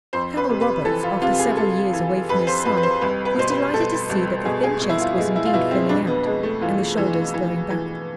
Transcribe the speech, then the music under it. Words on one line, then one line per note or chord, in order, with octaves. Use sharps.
Colonel Roberts, after several years away from his son, was delighted to see that the thin chest was indeed filling out, and the shoulders throwing back.
F2 C5
B4
C3
B4
E3 A4
F4
C3 F4
G#4
C3 A4
E3
F2 B4
C5
F2 B4
B4
C5
C2 B4
B4
B2 C5
B4
B2 A4
C2
B2 G#4
G#4
B2
E4
F4
B2 G#3
E4
F4
B2 E4
C4
F2 D4
B3
F2 G#3
A3
E3 F4
E3
E3
E3